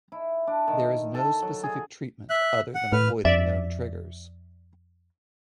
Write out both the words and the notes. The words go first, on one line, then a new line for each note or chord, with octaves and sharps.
There is no specific treatment, other than avoiding known triggers.
E4
D4
D#3
A4
F#3
G#4
E5 F#6
F#5
A2 B4 F6
F2 D5 E5